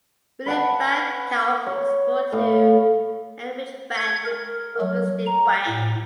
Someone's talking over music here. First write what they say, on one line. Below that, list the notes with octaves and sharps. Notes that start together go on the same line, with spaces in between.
Willy Bang Kaup was born to Heinrich Bang and Auguste Bang.
B4 F#5 A5
C#5
A2 F5
G#6
A#4
F#3
A#5
A2